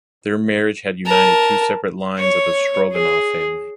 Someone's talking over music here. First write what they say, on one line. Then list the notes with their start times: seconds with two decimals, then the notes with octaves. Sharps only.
Their marriage had united two separate lines of the Stroganov family.
1.06 A#4 A5
2.18 C#5
2.92 G#4